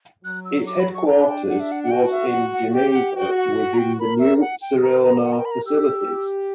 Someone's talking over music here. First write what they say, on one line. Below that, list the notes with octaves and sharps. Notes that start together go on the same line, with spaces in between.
Its headquarters was in Geneva, within the new Serono facilities.
F#3 F#6
E6
D6
B5
C#6
D4 A#5
G5
F#5
E5
F#5
F#5
F#4 G5
E5
F#5
F#5
G4 G5
G5
F#5
F#4 G5
F#5
F#5
A#5
G5
A#4 B5
E5
F#5
G5
A#4 A#5
A#5
F#5
A#5
G5
B5
A#5
G4 E6